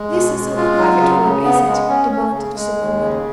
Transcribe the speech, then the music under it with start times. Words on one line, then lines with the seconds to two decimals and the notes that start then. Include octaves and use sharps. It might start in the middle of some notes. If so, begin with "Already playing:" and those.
"This is her private room, is it!" demanded Sir Norman.
Already playing: G#3
0.12 B2
0.35 G#3
0.57 F4
0.78 F#3
1.00 C#3
1.23 C#3
1.45 B3
1.67 G#3
1.88 C#4
2.12 C#4
2.33 C#3
2.55 G#3
2.78 D#2
3.00 C#3